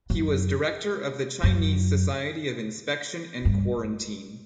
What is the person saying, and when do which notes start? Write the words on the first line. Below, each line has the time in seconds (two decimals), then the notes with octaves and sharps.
He was director of the Chinese Society of Inspection and Quarantine.
0.10 F#2
1.43 F#2
3.45 G2